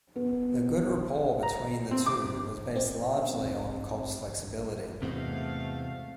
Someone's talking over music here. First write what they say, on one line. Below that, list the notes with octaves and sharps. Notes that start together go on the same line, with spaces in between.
The good rapport between the two was based largely on Cobb's flexibility.
B3
A#5
C4
D6
C4
E2 G#2 C3 A3 C4 F#4 F5